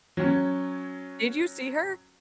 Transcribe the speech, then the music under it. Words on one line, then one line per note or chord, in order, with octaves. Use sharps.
Did you see her?
F#3 C#4